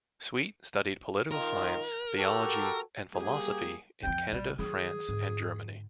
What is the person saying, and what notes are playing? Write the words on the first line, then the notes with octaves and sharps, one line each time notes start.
Sweet studied political science, theology, and philosophy in Canada, France, and Germany.
D#3 F4 A#4
F#4 G4 A4
G3 A#3 G4 G#4
F2 F3 G5
A#1 G3
D#3 F#3 G#4
G#2 D3